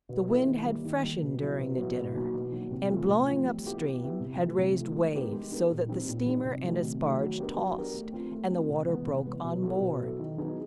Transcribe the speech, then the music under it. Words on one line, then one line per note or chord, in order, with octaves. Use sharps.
The wind had freshened during the dinner, and, blowing up stream, had raised waves so that the steamer and its barge tossed and the water broke on board.
B2
G3 B3 E4 A4
D#3
G3 A#3
D#3
G3 A#3
B2
F#3 B3 E4
B2
F#3 B3 E4
B2
F#3 A#3 D#4 F#4
B2
F#3 A#3 D#4 F#4
C3
F3 A3 C4 F4
C3
F3 A3 C4 F4
G3
B3 E4 G4
G3
B3 E4 G4
C3
F3
A3
C3
F3 A3
G#3
B3 D#4 G4 A#4
G#3
B3 D#4 G4 A#4
A#2
G3 C4 D#4
A#2
G3 C4 D#4
C3
D#3 F#3 A3
C3
D#3 F#3 A3
F#3
B3 D4 G4 A#4
F#3
B3 D4 G4 A#4
A3
C4 F4
A3
C4 F4
C3
E3 G#3 B3
C3
E3 G#3 B3
B2
F#3 B3 E4 A4
B2
F#3 B3 E4 A4
D#3
F#3 B3 D#4 G#4